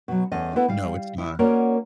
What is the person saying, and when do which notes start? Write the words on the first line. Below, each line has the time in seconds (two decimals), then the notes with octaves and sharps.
No, it's not.
0.08 B2 F#3
0.32 E2 C#4 A4 D#5
0.56 B3 E4 A4 B4
0.68 G3 F5
1.18 E4
1.39 A#3 C#4 F#4 A#4 C#5 D5